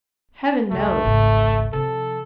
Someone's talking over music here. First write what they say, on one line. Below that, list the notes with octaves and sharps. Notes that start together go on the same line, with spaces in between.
"Heaven knows...."
C2 F2 A3
G#1 C#2
C3 F3 A4